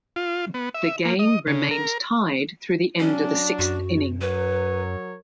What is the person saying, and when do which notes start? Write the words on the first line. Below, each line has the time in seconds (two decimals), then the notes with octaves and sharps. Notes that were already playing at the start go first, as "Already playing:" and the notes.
The game remained tied through the end of the sixth inning.
0.16 F4
0.54 B3
0.75 E5
1.05 A#3
1.19 D#5
1.47 C#3
1.71 A#4
3.00 F#3 C#4 D4
3.59 F#2 F#4
4.21 F#3 A#4 B4 C#5